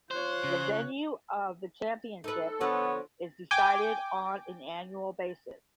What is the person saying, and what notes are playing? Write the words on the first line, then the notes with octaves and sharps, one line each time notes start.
The venue of the championships is decided on an annual basis.
F4 C5 C#5 F#6
C#3
D#4 A4 B4
D3 F3 B3 B4 C#5
G5 G#5 D6 G6